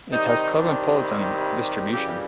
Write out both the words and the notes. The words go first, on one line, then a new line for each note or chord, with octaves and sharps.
It has cosmopolitan distribution.
C3 D#3 G3 D#4
D4
E4
E4
G4
F#2 C#3 E3 G3 G4